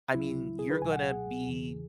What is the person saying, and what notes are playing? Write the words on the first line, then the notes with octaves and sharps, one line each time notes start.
I mean you're gonna be
C#2 C#3 F#3 E4
G#4
B4
C#2 B2 F#3 G#5
F#5
G#4
E2 C#3 E3